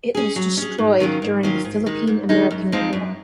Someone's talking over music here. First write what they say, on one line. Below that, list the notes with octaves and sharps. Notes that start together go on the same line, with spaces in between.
It was destroyed during the Philippine–American War.
C#4 G#4
F#3
C#4 G#4
G#2
D#3 F#3 C#4 F4
G#2
D#3 F#3 C#4 F4
G#2
D#3 G#3 D#4
G#2
D#3 G#3 D#4
F#2
F3 G#3 C4 D#4
F#2